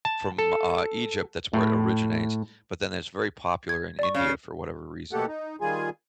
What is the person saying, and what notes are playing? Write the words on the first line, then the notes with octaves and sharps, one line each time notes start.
from, uh, Egypt- that's where it originates- but then it's very popular in India for whatever reason.
A5
A4
A2
G#6
D5 C#6
C#3
B2 A3 A#3 G4 A4 F#5
D#4
D#3 G3 F4 G#4 G#5